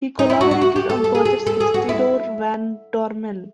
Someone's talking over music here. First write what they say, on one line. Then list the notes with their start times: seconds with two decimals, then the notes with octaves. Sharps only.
He collaborated on projects with Theodoor Van Dormael.
0.19 D#4
0.30 E4
0.41 F#4
0.51 F#4
0.61 F#4
0.76 G4
0.90 A4
1.04 A4
1.15 G#4
1.25 G#4
1.47 A4
1.60 G#4
1.74 F#4
1.89 E4